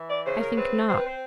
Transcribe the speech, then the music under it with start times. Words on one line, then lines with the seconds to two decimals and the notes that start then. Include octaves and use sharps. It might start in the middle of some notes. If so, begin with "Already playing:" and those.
I think not.
Already playing: E3
0.10 D5
0.25 C#3 C5
0.40 A#4
0.56 C4 B4
0.88 C4 C5
0.97 B4
1.06 C5